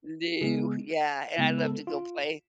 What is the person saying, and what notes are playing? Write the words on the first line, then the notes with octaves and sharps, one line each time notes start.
Lou, yeah, and I loved to go play
C#3 G#3 B3 G#4
C#3 G#3 B3
B4
A4
F4